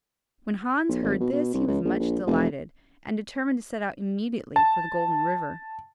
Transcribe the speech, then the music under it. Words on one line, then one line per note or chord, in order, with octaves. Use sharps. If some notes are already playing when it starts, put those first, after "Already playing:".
When Hans heard this, he was much delighted, and determined to set out immediately for the Golden River.
B1
G#1
B2
B2
C2
C#2
A#1
A#1
F1
A5